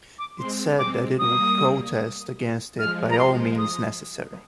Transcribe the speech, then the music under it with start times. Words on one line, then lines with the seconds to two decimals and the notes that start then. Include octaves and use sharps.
It said that it will protest against it by all means necessary.
0.19 D6
0.39 G#3 C4 C6
0.78 G#3 C4 D6
1.18 G3 A#3 D#6
2.79 F3 G#3 F6
3.10 A#5
3.19 C6
3.58 D#6